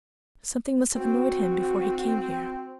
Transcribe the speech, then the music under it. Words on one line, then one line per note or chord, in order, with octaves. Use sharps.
Something must have annoyed him before he came here.'
C4 F#4